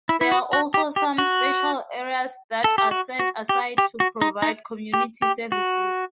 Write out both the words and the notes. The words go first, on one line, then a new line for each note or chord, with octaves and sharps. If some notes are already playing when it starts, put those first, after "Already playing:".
There are also some special areas that are set aside to provide community services.
E4
E4
F#4
F#4
G4
G4
F#4
A4
G4
F#4
F#4
G4
G4
F#4
D#4
D#4
G4
G4
F#4